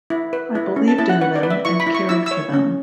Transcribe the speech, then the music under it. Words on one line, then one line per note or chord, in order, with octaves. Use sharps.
I believed in them and cared for them.
E4
B4
E4
C#4
A5
E4 A5
F#5
B4 F#5
D5
B4
E5
E4 C#6
B5
E4
C#6
E4 E6
C#5 E6
C#4